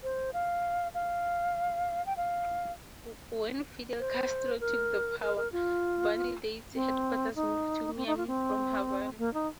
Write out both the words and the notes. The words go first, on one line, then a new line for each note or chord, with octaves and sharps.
When Fidel Castro took the power, "Vanidades"' headquarters moved to Miami from Havana.
C5
F5
F5
G5
F5
C5
A#4
A#4
A#4
F4
C4
D#4
C4
D#4
F4
C4
A#3
D#4